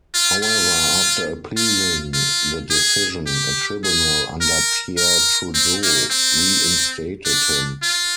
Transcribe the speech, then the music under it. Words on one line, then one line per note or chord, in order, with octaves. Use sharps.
However, after appealing the decision, a tribunal under Pierre Trudeau reinstated him.
F4
F4
F4
F4
G#4
G4
G#4
A#4
A#4
C4
A#3
C4
D4
F4